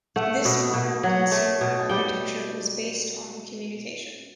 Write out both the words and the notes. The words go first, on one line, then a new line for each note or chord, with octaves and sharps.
This modern consumer architecture was based on communication.
A3 F#5
B2
B2
F#3 F#5
A3
B2
G3 G5